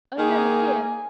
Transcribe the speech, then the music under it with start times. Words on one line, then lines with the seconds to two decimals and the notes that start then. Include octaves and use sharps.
'Oh! never fear!
0.18 D#3 A#3 G#4 G#5